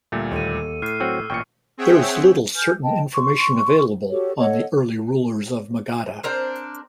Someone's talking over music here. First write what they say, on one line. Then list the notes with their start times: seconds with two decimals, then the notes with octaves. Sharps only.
There is little certain information available on the early rulers of Magadha.
0.12 D2 A#2 G3 A3
0.32 D#2 A4 D6 D#7
0.82 A2 F6 F#6 C7
1.00 F#3 C4 F#4 E6
1.30 A1 A#2 G5 C#6 F6 C#7
1.77 C4 G#4 C#5 E5 F#5 G5
2.55 B4 G#5 F6 G6
2.83 D#5 G5 A5
3.13 C6 C#6
4.10 F#4 G4 A4 C#5
4.38 A4 C#5 D#5 F#5
6.23 C4 D4 A#4 C5